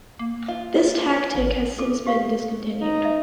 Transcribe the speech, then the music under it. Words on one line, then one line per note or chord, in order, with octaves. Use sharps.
This tactic has since been discontinued.
A#3
F4
F4
A#3
A1
A4 D6
G4 F5
D#4
D#5 E5